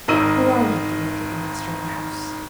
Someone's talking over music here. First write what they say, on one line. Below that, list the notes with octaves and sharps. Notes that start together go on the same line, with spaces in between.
"Who are you?" demanded the master of the house.
G#1 D#3 A#4 D#5 E6 D#7